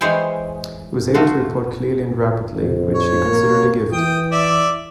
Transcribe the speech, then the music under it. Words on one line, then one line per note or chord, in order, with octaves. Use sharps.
He was able to report clearly and rapidly, which he considered a gift.
E3 G#3 C5 C#5 G5 G#5
A3 F4 F#4
F2
C#5
A#3
E3 G5 D#6
D5 E5